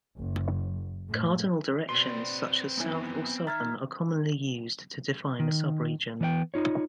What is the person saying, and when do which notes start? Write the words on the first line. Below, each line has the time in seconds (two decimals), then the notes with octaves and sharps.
Cardinal directions, such as south or southern, are commonly used to define a subregion.
0.15 F#1
1.09 A2
1.89 B2 C4 B4 D5 C6
2.78 F#2 D#3 E3 B3
3.47 D#3 E5 A#5 F6 G#6 A6
5.40 D#3
6.21 E3 B3 D5 G5
6.54 D#4 F4 C#5